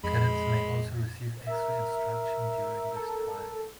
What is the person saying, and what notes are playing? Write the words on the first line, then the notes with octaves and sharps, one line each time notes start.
Cadets may also receive extra instruction during this time.
F2 G#3 B5
A#4 E5
A4